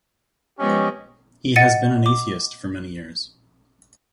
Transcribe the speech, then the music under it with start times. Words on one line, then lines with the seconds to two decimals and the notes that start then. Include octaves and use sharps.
He has been an atheist for many years.
0.60 F3 G#3 B3 C#4 G4 D#5
1.56 D#5 F#5 A6 C#7 D#7
2.06 D6